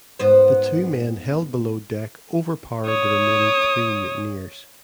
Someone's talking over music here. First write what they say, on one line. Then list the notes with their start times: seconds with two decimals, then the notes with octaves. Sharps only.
The two men held below deck overpowered the remaining three mutineers.
0.19 G#2 B3 C5
2.86 C#5 D#6